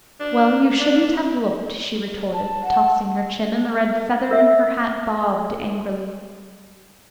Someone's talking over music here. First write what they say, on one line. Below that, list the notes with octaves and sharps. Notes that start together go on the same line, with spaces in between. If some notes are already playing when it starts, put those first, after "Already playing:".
"Well, you shouldn't have looked," she retorted, tossing her chin; and the red feather in her hat bobbed angrily.
D4
D4
A5
F#5
A#4 E5